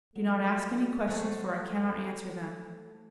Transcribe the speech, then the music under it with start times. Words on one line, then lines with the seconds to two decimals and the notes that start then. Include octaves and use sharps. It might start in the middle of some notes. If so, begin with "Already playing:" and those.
Do not ask any questions, for I cannot answer them.
0.16 F#3 A3
1.08 F#3 A3 A4 C5